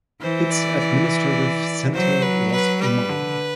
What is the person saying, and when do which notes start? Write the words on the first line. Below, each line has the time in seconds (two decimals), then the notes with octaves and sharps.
Its administrative centre was Uman.
0.21 E3 C5
0.50 D5
0.79 D5
1.93 F#3 C5
2.22 B4
2.51 B4
2.81 G3 B4
3.09 D3